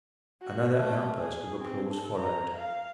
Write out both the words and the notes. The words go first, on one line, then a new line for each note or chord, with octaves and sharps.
Another outburst of applause followed.
F#4
A3
G#4
C4
A4
A#5
F5